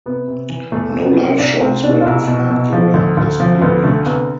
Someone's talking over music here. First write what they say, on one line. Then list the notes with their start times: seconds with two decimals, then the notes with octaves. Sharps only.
No live shows were performed during this period.
0.06 C3 B3
0.28 C3
0.49 E3
0.72 E2 A3
0.89 A3
0.95 C3
1.05 B3
1.17 C3
1.22 C4
1.39 C2 D4
1.61 C2 C4
1.83 B2 D4
2.01 F4
2.06 C2 E4
2.27 B2
2.51 B2
2.72 F3
2.94 D2
3.17 D2
3.40 F3
3.61 D2 B3
3.84 D3 A3
4.06 C2 B3